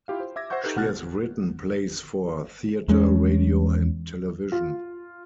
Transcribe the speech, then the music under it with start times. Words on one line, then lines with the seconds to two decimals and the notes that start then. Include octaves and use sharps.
She has written plays for theatre, radio, and television.
0.08 E4 F4 G4 F5
0.20 C5
0.36 E5 D6 G#6 A#6
0.50 C5 E5 F#5 C#6 G6
0.64 D#4 G4 A4 B4
0.76 G#1 B2 F#5 F6 F#6 A6
2.88 E2 G#3 A3 C#4
4.52 F4